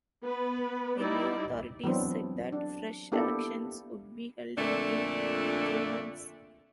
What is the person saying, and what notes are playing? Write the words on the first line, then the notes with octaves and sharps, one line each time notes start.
The new authorities said that fresh elections would be held within three months.
B3 B4
G3 D#4 E4 D5
E3 F#3 B3 C4 D4
D4
A#3 B3 D4 E4 G4 A4
F2 A#2 D3 A3 D4